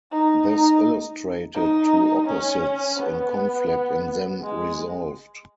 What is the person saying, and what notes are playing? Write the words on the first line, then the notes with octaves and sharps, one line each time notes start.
This illustrated two opposites in conflict and then resolved.
D#4
D#4
D#4
C#4
B3
G#3